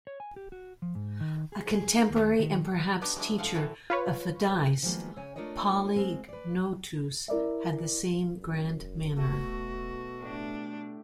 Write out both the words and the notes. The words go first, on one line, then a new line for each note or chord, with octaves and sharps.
A contemporary and perhaps teacher of Pheidias, Polygnotus had the same grand manner.
C#5
G#5
G4
F#4
F3
G#2
D#3
G#4
G#4
D#4
D#2
D#3
B3 D4 D#4 F#4 G4 B4
F#3 G#3 D4 E4
A2 F3 C4 F5 F#5
E3 C4 F#4 A4 B4 C#5
F4 B4 C#5
D#3 F3 F#3 G#3 A#3 B3
C#3 C#5 G#5
A3 D4 F4 A#4 C#5 D#5
G#3 A#3 C4
B4 D5
E4 A#4 D5 E5
F#2
B2 A3 F#4
A2 D4 G4